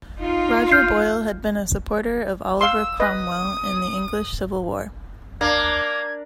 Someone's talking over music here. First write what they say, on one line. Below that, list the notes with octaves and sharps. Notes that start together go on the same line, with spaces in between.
Roger Boyle had been a supporter of Oliver Cromwell in the English Civil War.
D#4 F4
F6 G6 C7
F5 C6 E6
B4 D#5 D#6
A#3 D4 G#6